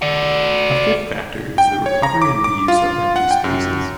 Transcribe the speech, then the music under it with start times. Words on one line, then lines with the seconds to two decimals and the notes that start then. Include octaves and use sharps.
A fifth factor is the recovery and reuse of empty spaces.
0.02 F#4 D5
1.58 G5
1.86 C#5
2.03 A#5
2.22 D6
2.44 D6
2.68 F4
3.16 F#5
3.31 G5
3.44 F#2